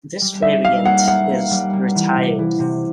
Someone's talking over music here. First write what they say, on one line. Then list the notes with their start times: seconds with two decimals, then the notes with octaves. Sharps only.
This variant is retired.
0.21 G3
0.42 D#4 E5
0.64 G3 F5
0.86 A#3 F#5
1.08 A#3 F#5
1.29 A#3
1.51 G3
1.73 A#3
1.95 E3
2.16 C3
2.39 E3
2.60 C3